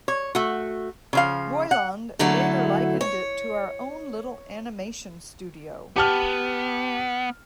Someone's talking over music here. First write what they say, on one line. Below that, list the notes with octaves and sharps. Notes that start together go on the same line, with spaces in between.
Roiland later likened it to our own little animation studio.
C#5
A3 F#4
C#3 F3 F5
F#5
D3 F#3 A3 E4
C#5
B3 G4 A5 F6